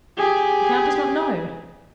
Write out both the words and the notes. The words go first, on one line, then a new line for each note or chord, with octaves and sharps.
"The count does not know?"
G4 G#4